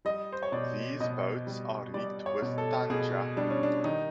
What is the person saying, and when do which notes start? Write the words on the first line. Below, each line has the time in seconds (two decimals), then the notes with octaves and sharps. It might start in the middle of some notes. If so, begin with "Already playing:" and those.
These boats are rigged with tanja rig.
0.05 G3 D#5
0.33 C5
0.43 C#5
0.52 B2 D5
1.00 B2 D#5
1.47 G3
1.94 G3 D5
2.26 C#5
2.42 B2
2.58 A4
2.90 B2 G#4
3.37 G3 D4
3.50 C#4
3.63 D4
3.84 D#3 D#4